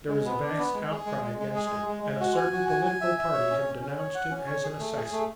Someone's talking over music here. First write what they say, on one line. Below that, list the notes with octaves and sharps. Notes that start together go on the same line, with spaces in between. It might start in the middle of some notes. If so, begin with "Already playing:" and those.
There was a vast outcry against him, and a certain political party had denounced him as an assassin.
G#3
B3
D4
B3
G#3
G#4
G#3
G#3
G#3
G#4
G#3
G#3
G#3
F#4
G#5
F#4
G#5
G#5
E5
E5
C#5
C#4
C#4
C#4
C#5
F#5
C#4
C#5
G#4
A3
G#4
A3